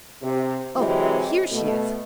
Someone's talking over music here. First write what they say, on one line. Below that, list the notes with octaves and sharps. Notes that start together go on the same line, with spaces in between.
Oh! here she is!
C3
C3 E3 F#3 G#3 C4
B2 A3